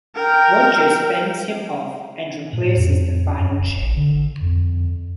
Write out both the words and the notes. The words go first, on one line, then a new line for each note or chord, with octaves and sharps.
Rogers fends him off and replaces the final chip.
A#4 G5
A2
F2
F#2
D1
A1
D3
F2